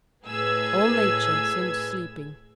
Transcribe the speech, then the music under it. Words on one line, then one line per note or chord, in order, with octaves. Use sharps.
All nature seemed sleeping.
A2 G#4 B4 E6 G#6